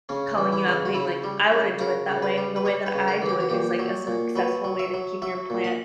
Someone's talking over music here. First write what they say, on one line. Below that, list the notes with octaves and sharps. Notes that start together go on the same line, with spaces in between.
calling you out, being like, "I wouldn't do it that way, the way that I do it is, like, a successful way to keep your plant
C#3 C#4
E3
E4
C#3
F#4
C#3 E4
G3
C#3
C#3 A#4
C#3
B4
G3
B4
G3 C#5
B4
C#3
A#4
E3
G4
F#4
A#2 G4
F#3
A#2
F#3 B4
F#3
E5
F#3
F#3 E5
A#2
F#5